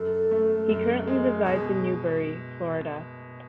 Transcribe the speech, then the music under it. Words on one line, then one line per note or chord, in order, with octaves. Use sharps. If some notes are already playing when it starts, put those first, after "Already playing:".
He currently resides in Newberry, Florida.
Already playing: F#2 A4
A3
F#2
G#3
B2 G#4